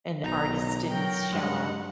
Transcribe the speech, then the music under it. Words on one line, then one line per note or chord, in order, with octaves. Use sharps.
And the artist didn't s show up,
B1 D#4 A#5
F#3 A#4 G5
G2 G#3 F#5